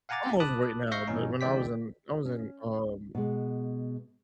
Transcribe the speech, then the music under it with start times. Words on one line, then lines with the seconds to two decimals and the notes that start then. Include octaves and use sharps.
I'm overweight now, but when I was in I was in, um,
0.09 F5 F#5 G#5 A#5 D6 A6
0.40 A5 B5 D6 D#6 F#6
0.91 E5 F5 C#6 G6 A#6 C7
1.07 G2 B2 E3 C#4 D#4
1.41 D3 E3 G#3 D5 G5 B6
2.25 C#4
3.15 B2 G#3